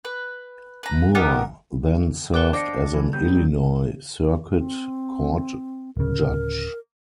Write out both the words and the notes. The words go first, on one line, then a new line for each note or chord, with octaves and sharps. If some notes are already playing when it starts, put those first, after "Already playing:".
Moore then served as an Illinois Circuit Court judge.
B4
B4 A#5
B3 D#4 G4 A#4
A#4 G5 A5 C#6 D6 F#6 G7
D4 C5 D#5 F5 G5 D6 A#6 C#7
E3
F#3 G3 B3 G6
C4
D1 C#3 A#4